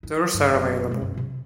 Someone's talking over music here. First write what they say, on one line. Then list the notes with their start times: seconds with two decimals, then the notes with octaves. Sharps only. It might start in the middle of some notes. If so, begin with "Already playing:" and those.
Tours are available.
0.03 D#4
0.34 G2
0.52 F#1
0.87 B2 G#3
1.02 F#2
1.14 C3 F4